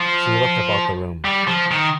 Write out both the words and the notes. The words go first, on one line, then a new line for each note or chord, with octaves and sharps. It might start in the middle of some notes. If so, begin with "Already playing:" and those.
She looked about the room.
Already playing: F3
G3
F3
D#3